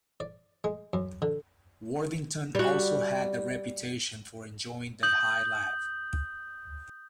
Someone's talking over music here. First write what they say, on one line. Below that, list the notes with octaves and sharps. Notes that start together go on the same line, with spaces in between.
Worthington also had the reputation for enjoying the high life.
D5
G#3
F#2
D3
G3 F#4
D#6 G6 F#7